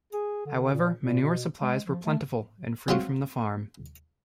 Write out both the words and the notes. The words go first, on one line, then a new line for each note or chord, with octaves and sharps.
However, manure supplies were plentiful and free from the farm.
G#4
D3
A#2
A#2
B2
G#3
F3
A3
F#3 C4 F4 F#4